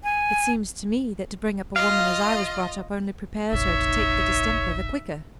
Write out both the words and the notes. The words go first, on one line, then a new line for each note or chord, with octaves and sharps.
"It seems to me that to bring up a woman as I was brought up only prepares her to take the distemper the quicker."
G#5
F4 D#5 F5
F1 A#1 D#4 C#5 E5